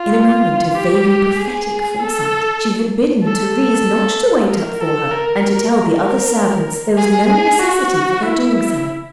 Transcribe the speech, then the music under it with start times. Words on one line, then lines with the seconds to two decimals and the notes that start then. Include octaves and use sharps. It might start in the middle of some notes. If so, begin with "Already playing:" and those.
In a moment of vaguely prophetic foresight she had bidden Therese not to wait up for her and to tell the other servants there was no necessity for their doing so.
Already playing: F4
0.75 G4
1.37 G#4
1.99 A4
3.24 A4
4.49 A#4
4.80 A4
5.11 A#4
5.73 A#4
6.98 G#4
7.59 F#4
8.23 E4